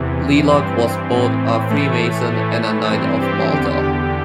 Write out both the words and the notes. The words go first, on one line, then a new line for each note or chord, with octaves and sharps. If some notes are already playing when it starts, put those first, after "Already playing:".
Leluk was both a freemason and a Knight of Malta.
Already playing: E2 C3 E3
G2 E3 C4
A2 E3
A2 E3 A3
A2 E3 A3
G2 E3 C4
G4
E2 D3 G4